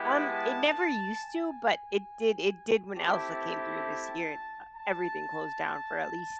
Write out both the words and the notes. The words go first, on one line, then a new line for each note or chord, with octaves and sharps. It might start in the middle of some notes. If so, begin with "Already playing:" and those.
Um, it never used to, but it did it did when Elsa came through this year, uh, everything closed down for at least
Already playing: G#3 B3 E4 G4 G5
A5
G#5
A3 C4 E4 G4 A5
A5